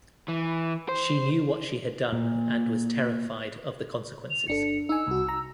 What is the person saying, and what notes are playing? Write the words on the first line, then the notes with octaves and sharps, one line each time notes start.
She knew what she had done and was terrified of the consequences.
E3
C5
A#2
F7
G1 D4 A4 C#7
D#4 G#5 E6
C2 F#4
A#5